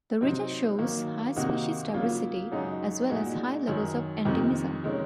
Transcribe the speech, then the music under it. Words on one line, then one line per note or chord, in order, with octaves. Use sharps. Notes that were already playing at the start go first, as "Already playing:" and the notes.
The region shows high species diversity as well as high levels of endemism.
C3 F#3 C4 D#4
D#3 F#3 A#3
C3 D#3 A#3 D#4 F#4
C#3 F#3 A#3 F4
F#2 C#3 G#3 D#4 F#4
A#2 G#3 D#4 F#4
F#2 D#3 F#3
F2 C3 D#3
C3 D#3 G#3 C#4